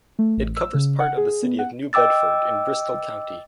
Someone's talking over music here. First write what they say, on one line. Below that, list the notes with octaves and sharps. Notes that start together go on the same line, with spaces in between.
It covers part of the city of New Bedford in Bristol County.
A3
A1
E6
C#3
F#5
G#4
B3
F#5
D#5 G5 D6 E6 A6